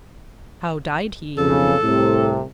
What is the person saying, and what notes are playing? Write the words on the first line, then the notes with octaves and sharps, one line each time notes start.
"How died he?"
B1 F2 C#3 A4
C2 A2 C3